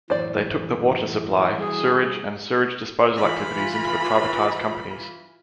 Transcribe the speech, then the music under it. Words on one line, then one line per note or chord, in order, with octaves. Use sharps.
They took the water supply, sewerage and sewage disposal activities into the privatised companies.
F#2 A2 E3 C5 D5
G3 E4 F#4 G#4
E3 F4 B5